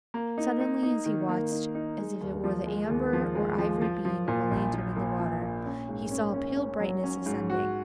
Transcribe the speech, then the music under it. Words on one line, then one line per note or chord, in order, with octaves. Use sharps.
Suddenly, as he watched, as if it were the amber or ivory beam of a lantern in the water, he saw a pale brightness ascending.
A#3
D#4
D#4
D#4
D#3
A#3
D#4
D#4
G#3
D#2
F3
G#3
D#2
F3
G#3
F3
F3
F3
A#2
A#1
A#2
A#2
F3
A#2
C#4
G#2
C#4
C#4
C#4
F#3
C#4
G#2
F#4